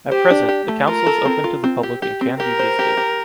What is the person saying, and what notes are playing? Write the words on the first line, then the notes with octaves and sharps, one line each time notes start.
At present, the Council is open to the public and can be visited.
G4 C5
D4
G4
A3
F4 A#4
A4
C4
F4
C4
G4
G4
C4
G4 A#4
C5
G4
G4